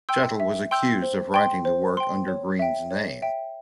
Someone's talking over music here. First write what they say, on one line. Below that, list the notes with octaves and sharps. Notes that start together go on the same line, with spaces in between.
Chettle was accused of writing the work under Greene's name.
G5 C6 E6 G6
E5
G5 C6 E6 G6
C5
G5 C6
C5
G5 C6
C#5
E5 G5
C#5
E5 G5